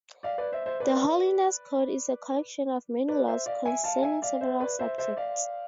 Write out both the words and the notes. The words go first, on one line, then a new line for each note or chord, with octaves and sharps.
The Holiness Code is a collection of many laws concerning several subjects.
D5 F5
B4 D5
C5 E5
C5 E5
B4 D5
B4 D5
C5 E5
D5 F5
E5 G#5
F5 A5
E5 G#5
D5 F5
C5 E5
B4 D5
C5 E5
C5 E5
D5 F5